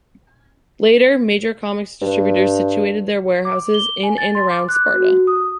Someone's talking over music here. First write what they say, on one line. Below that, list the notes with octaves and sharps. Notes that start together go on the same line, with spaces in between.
Later, major comics distributors situated their warehouses in and around Sparta.
G2
D6
G7
G#5
A6
C6
D6
F#6
F#4
D#6